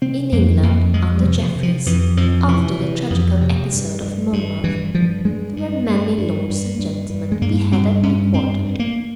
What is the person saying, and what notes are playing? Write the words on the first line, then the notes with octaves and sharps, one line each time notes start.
In England, under Jeffreys, after the tragical episode of Monmouth, there were many lords and gentlemen beheaded and quartered.
C3 C4
F2 A#3
F2 A#3
F2 G#3
G3
C3
F3
C3
F3
F2 E3
F2 F3
C3 E3
C3
F2
C3
G2
G2
G2
G2 E3
G2 F3
G2 G#3
G2
G2
G2
G2
G2
G2
G#3
G2 A#3
G2 C4
G2 C#4
G2 C4
G2
A#3